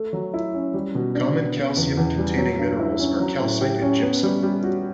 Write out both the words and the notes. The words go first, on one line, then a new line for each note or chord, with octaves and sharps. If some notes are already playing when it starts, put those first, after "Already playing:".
Common calcium-containing minerals are calcite and gypsum.
Already playing: A3
F#3
E4
C#4
G3
B2
D4
B3
C#3
E2
E2
G3
F#3
G2
E4
C#4
F#3
A2
G4
C#4
B3
G3
G3
F#4